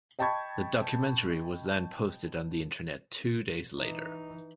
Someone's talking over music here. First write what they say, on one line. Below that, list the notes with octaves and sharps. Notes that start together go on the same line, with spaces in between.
The documentary was then posted on the internet two days later.
D#5 G5 A5 B5 C#6 G#6
E3 D#4